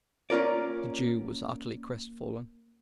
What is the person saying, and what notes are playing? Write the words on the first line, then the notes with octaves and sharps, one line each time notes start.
The Jew was utterly crestfallen.
A#3 C#4 F4 A#4 D5